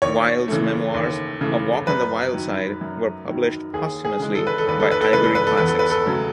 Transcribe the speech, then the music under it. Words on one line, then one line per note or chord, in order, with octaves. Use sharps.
Wild's memoirs "A Walk on the Wild Side" were published posthumously by Ivory Classics.
D#2 C#5
C#3 E3 A3
D#2
C#3 E3 A3
F#2 B4
D#3 F#3
F#2
D#3 F#3
D#2 G#4
G#4
C#3 E3 G#3
A4
B4
A4
D#2 B4
A4
B4
A4
C#3 E3 G#3 B4
A4
B4
A4
E2 B4
A4
B4
A4
C#3 F#3 A3